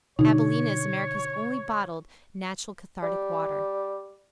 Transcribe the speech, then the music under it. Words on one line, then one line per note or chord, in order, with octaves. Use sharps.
AbilenA is America's Only Bottled Natural Cathartic Water.
B2 D3 D#4 C#5
G3